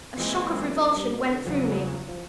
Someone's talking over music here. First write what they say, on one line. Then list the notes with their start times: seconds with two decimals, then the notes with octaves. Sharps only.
A shock of revulsion went through me.
0.17 A#2 E3 G#3 C4
0.49 F#2
0.80 F#2
0.96 G2
1.13 B2
1.29 D3
1.44 E2 C#3 F3 F#3
2.08 F3